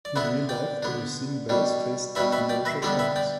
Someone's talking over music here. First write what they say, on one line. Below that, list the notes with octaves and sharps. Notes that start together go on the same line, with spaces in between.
In real life, the Racine Belles faced the Kenosha Comets.
D5
D3 B3 D4 B4 E5
D5 G5
D3 B3 D4
B2 G3 D4
B2 G3 D4 B4 E5
B4 E5
D5 G5
B4 E5
D3 G3 B3 D4 A4 D5
B4 E5
D5 G5